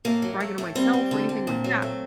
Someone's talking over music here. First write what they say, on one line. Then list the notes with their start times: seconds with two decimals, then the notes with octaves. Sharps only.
bragging on myself or anything like that,
0.05 A2 A#3
0.22 F#3
0.40 A3
0.58 A2
0.75 G3 C4
0.93 G3
1.11 D3
1.29 D3
1.47 A#2
1.64 F#3
1.82 A3